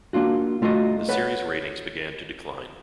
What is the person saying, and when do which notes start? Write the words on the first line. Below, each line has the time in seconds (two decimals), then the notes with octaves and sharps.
The series' ratings began to decline.
0.13 A#3 D4 F4 F#4
0.62 A3 F4 F#4 A4 D#5
1.08 A4 B4 C#5 F#5